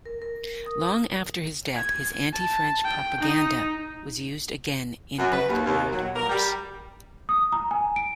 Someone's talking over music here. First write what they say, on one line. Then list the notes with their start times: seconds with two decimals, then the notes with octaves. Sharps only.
Long after his death, his anti-French propaganda was used again, in both World Wars.
0.06 A#4
0.22 A#4
0.66 D#6
1.76 G#6
2.34 A5
2.85 G5
3.20 D#4
5.18 F#2
5.32 B4
5.49 D#2
5.66 D#2
5.91 F#3
6.16 A#4
6.29 G3
7.29 D#6
7.52 A#5
7.71 G#5
7.96 D7